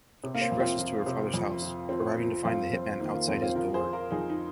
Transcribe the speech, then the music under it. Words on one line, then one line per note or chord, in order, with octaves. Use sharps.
She rushes to her father's house, arriving to find the hitman outside his door.
C3
A#3
C4
F2
C4 F4
F3
C3
F2
F3
F3 C4
F3
F2 C4 F4
F2 C4
D#3 A#3
A#3
F2 C4
C4 F4
F3 F4 A#4
G#4 C5
F3
F4 A#4
F2 D#4 G#4
D#4